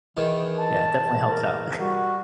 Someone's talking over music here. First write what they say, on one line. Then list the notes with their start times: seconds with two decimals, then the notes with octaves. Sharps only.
Yeah, it definitely helps out.
0.17 E2 D#3 E3
0.59 A5
1.29 A#4
1.80 G3 F#4